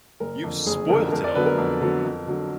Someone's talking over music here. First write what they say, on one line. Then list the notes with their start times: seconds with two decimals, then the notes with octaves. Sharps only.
You've spoilt it all!
0.20 F#1 A#4
0.44 F2 D3
0.66 F#1 G#4
0.89 F2 D3 A#4
1.12 F2 A#4
1.24 D5
1.35 D3 F#3 B3 B4
1.46 A#4
1.58 F2
1.81 D3 F#3 B3
2.04 F2
2.27 D3 F#3